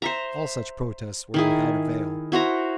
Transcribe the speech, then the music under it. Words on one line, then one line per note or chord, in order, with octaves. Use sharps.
All such protests were without avail.
C5 E5 A#5
D#3 E4 G#4
E4 F#4 C5 A#5